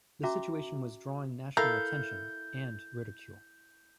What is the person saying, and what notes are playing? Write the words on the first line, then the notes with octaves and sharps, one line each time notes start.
The situation was drawing national attention, and ridicule.
C#4 F#4 E5 A#5 D6
E4 A4 A#4 F5 G6